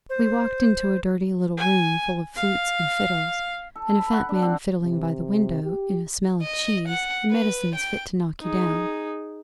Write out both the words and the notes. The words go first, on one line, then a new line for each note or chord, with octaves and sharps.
We walked into a dirty little room full of flutes and fiddles and a fat man fiddling by the window, in a smell of cheese and medicines fit to knock you down.
C5
G#5
F5
A4
B5
F#5
D4
C4
C3
G4
D#5
F#5
B4
G5
D#4 G#4